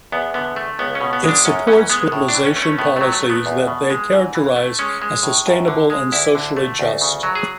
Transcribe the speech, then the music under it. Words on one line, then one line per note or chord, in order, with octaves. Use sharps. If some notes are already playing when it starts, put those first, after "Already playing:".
It supports globalisation policies that they characterise as sustainable and socially just.
E2 B3
D3 B3
A3
C#2 B3
C#4
B2
B3
G#3 D4
F#2 C#4
E3 C#4
G#3 B3
A2
D4
E3
C#4
A3
C#4
A2 B3
F#3 A3
A3
A3
B3
E2
B2
G#3
G#2
E3
A3
G#3 C#4
G#3
A2
F#2
D3
G#3
D2 E4
D3
A3
D2
C#3
F#3
G#4